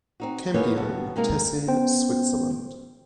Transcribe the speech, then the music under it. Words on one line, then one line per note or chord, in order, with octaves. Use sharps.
Campione, Tessin, Switzerland.
C4 D#4 F#4
E3 A#3 B3 D#4 G#4 C#5
D#2 B3 F#4 F#5 A5
C3 G#3 A#3 D#4 A#4
B3 C#4 C5 G5